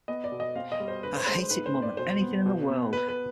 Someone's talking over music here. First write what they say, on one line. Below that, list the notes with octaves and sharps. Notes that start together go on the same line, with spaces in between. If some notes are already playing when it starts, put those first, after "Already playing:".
I hate it more than anything in the world.
B3 D#5
D5
B2
D#5
C4 F5
D#5
G3
C5
D3 B4
C5
G#3 C5
C5
G#2 B4
C5
C4
D5
B2 C5
B3
B2
B3
B3 B4
B4